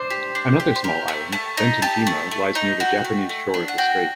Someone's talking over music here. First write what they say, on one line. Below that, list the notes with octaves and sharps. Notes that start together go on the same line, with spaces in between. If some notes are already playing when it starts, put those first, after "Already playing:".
Another small island, Bentenjima, lies near the Japanese shore of the strait.
Already playing: D4 C5
G4
D4
G4
C5
G4 A#4
A3
A3 A5
D#4
G4 A5
A3
A3
D#4
F#4 G5
A3
A3
D4
F#5
F#4 G5